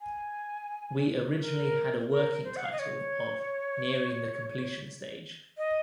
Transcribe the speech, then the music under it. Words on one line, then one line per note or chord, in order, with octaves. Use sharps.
We originally had a working title of 'Nearing The Completion Stage'.
G#5
A#4
A#4
C5
F#5
F5
D#5
C#5
D#5